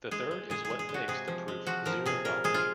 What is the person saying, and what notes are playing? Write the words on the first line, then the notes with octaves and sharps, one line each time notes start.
The third is what makes the proof zero-knowledge.
G#3 G#4
G#3
G#3 G#4
G#4
G#3
G#4
G#3
F#4
C3 G#4
F3
G#3
F3 F#4
F3 A#4
C3 G#4
A#2 A#4
G#3 G#4
F4